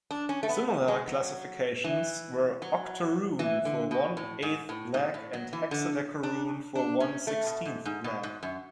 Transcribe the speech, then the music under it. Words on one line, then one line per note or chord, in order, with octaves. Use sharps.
Similar classifications were octoroon for one eighth black and hexadecaroon for one sixteenth black.
D4
C#4
A3
B3
G#3
F#3
E3
F#3
E3
D3
B2
A2
G#2
A2
G#2
A2
F#3
E3
D3
D4
D4
C#4
A3
B2
G#2
G#2
B2
G#2
F#2